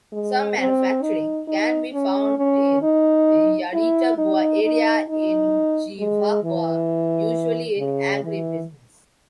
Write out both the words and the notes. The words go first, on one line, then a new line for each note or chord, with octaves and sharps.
Some manufacturing can be found in Yaritagua area and Chivacoa, usually in agribusiness.
G#3
C4
D#4
D#4
C#4
C#4
D#4
E4
D#4
D#4
D#4
G#3
E3
C#3
E3